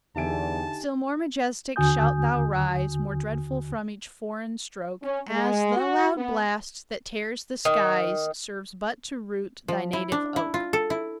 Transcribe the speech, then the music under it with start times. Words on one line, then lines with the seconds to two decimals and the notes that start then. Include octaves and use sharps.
Still more majestic shalt thou rise, More dreadful from each foreign stroke; As the loud blast that tears the skies Serves but to root thy native oak.
0.16 E2 D3 D#4 G4 E5 G#5 A5 D7
1.76 D#2 D3 F#4 G#5 D#6 G6
5.02 C#4
5.30 G#3
5.77 F#4
6.16 B3
7.65 D#3
9.68 F3
9.93 E4
10.12 D4
10.36 E4
10.54 F4
10.73 A4
10.90 E4